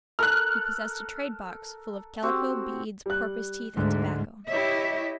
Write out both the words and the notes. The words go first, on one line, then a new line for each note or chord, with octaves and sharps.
He possessed a trade-box full of calico, beads, porpoise-teeth, and tobacco.
A4 A#4 F6 F#6
C4 F#4 G4
G3 F#6
D2 G#2 D3
E4 G4 C#5 D#5 E5